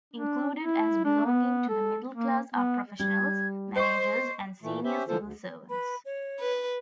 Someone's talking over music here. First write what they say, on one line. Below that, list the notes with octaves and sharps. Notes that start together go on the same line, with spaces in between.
Included as belonging to the middle class are professionals, managers, and senior civil servants.
D4
E4
D4
B3
A4
A#3
B3
G3 G#6
C5 D#5 C#6 C7
A#2 E3 A3
C#4 G4 C5 E5
D3 E3 F3 F4 A4 C5
D2
B4 B5
C#5
B4